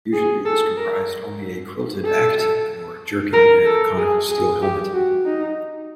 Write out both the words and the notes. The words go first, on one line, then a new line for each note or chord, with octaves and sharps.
Usually this comprised only a quilted "aketon" or jerkin and a conical steel helmet.
G#4
A4
A#4
A4
A#4
A4
G#4
G#4
G4
F#4
D#4